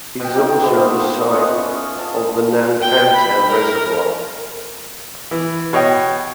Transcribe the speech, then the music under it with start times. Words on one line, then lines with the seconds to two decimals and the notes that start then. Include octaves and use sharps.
It is also the site of the Nanpantan Reservoir.
0.20 B2 G5
0.34 D#4 G4 A#4
0.64 A3 B3 C5
0.81 F3
1.33 C#4 F4 D#5 F#5
1.95 F5 A5
2.82 G5
3.15 B5
3.50 A#4
5.31 E3
5.73 B2 C#5 D#5 G5